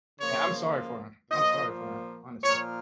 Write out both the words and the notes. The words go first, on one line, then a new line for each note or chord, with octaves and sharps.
Yeah, I'm sorry for him, I'm sorry for him, honestly,
C#3 F3 A#3 C#5
A#2 F3 A#3 D#5
A#2 F3 A#3 C#5